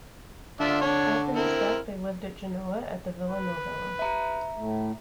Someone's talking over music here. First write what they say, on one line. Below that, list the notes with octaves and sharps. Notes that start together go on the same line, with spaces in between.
After his death they lived at Genoa at the Villa Novello.
D3 D4 F4 E5
D4 C#5
C4 E4 A#4
B4
E5 A#5
A2 A3